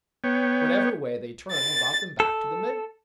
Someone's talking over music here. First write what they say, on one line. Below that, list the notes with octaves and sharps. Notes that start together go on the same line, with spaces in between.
Whatever way they turned brought them back to the middle.
B3 C#5 G5
A6
A4